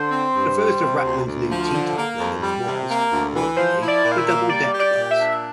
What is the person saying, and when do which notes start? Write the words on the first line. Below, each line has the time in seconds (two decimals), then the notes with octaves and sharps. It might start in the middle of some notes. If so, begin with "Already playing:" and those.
The first of Rackham's new T-Type Leylands was, importantly, the double-deck bus.
Already playing: D3 C5
0.10 C4
0.33 G2
0.56 G3
0.80 C3
1.02 D2
1.25 D2
1.49 F3
1.72 D3
1.96 A#3
2.18 F2
2.41 G3
2.65 C3
2.88 A#3
3.11 D2
3.34 E3
3.56 F3 C5
3.80 E4
3.88 D5
4.03 A#2
4.12 F5
4.18 E5
4.26 A#3
4.49 G3 D5
4.72 G4
4.79 D5
4.96 A#2
5.11 E5
5.18 D4